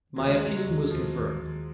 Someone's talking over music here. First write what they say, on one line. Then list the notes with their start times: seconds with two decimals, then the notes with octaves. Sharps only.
My opinion was confirmed.
0.16 D#2 F#3
0.27 G#3
0.36 F#3
0.41 C#3
0.47 G#3
0.56 F#3
0.66 D#2
0.90 D#2 F3
1.15 D#2
1.40 D#2